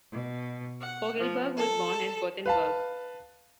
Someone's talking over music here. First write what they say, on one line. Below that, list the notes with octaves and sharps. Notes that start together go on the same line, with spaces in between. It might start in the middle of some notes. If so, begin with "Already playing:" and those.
Fogelberg was born at Gothenburg.
B2
F#5
F3
A4
B4 F5 A5